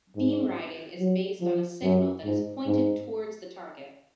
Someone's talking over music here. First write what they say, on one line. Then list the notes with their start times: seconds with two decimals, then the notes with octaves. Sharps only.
Beam riding is based on a signal that is pointed towards the target.
0.16 G#2
1.00 F#3
1.41 F3
1.83 F#2
2.25 G#2
2.66 G#2